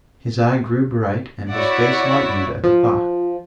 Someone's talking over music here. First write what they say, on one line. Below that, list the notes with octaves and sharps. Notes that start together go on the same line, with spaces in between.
His eye grew bright, and his face lightened at the thought.
E4 F#4 C#5 D5 E5 F#5
F3